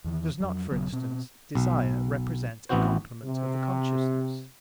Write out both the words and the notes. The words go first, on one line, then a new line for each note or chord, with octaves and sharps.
Does not, for instance, desire represent a complement of the consciousness?
E2 D#3 E3
F2 F#3
D#1 C#3 F#3 B3
B2 C4
B1
A1 E3 B3 C4 F#4 C5
C3